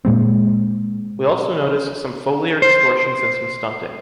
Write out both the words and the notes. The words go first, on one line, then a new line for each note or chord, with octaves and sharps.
We also notice some foliar distortions and some stunting.
A#2 G#3 C4
C5